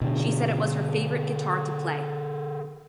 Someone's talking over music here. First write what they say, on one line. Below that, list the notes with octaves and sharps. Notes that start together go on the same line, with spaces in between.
She said it was her favourite guitar to play.
B2 D3